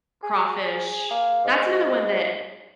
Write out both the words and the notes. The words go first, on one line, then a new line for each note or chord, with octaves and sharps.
crawfish that's another one that
G#4
A#3
G#2